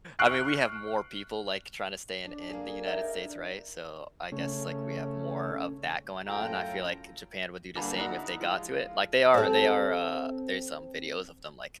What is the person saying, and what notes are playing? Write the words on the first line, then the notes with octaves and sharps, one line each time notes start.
I mean, we have more people, like, trying to stay in in the United States, right? So I guess, like, we have more of that going on. I feel like Japan would do the same if they got to it. Like they are they are, uh, there's some videos of them like,
C#6 F6 F#6 C7 D7
D4
A#3 G#4
D#4 A#4 D5 E5 G5
C#3 A3 C#4
F#2 A2 F4 A4 G5 A#5
D3 G3 A#3 G#4 A4 B4
D#4 E4 F#4 D5 F#5 A#5
F3 G#3 F4
C4 A4